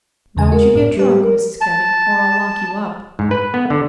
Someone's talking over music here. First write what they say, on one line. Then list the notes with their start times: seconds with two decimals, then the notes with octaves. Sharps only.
"Don't you get drunk, Mrs. Kebby, or I'll lock you up."
0.37 E2 C#3 G#5
0.52 G#3 F#4 A#4
0.75 A2
0.97 G3 G4 B4
1.22 A#4
1.61 A5
3.19 G#2
3.31 B4
3.54 B3
3.70 D3